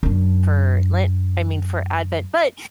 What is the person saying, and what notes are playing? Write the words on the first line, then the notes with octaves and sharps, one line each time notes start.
for Lent I mean, for Advent, but
F#2 D4